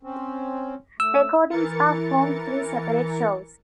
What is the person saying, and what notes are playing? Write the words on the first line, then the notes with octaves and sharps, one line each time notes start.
Recordings are from three separate shows.
C4 C#4
A3 E6
E3 A#4 A6 C#7